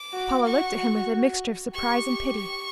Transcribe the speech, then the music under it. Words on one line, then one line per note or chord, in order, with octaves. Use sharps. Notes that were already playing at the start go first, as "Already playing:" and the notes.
Paula looked at him with a mixture of surprise and pity.
Already playing: D6
F#4
F#4 C#6
G4 C#6
C#6